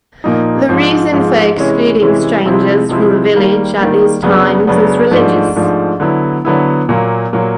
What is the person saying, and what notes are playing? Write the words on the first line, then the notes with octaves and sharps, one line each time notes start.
The reason for excluding strangers from the village at these times is religious.
A#2 F3 A#3 D#4
G#2 F3 G#3
G#2 F3 G#3
C3 E3 G#3 C#4 E4
C3 E3 G#3 C#4 E4
C3 F3 G#3 C4 E4
C3 F3 G#3 C4 E4
D#3 G3 A#3
D#3 G3 A#3
F#2 C#3 F#3 B3 D4
F#2 C#3 F#3 B3 D4
G#2 F3 A3 D4
G#2 F3 A3 D4
D3 F#3 B3 E4
D3 F#3 B3 E4
A#2 F#3 A#3
A#2 F#3 A#3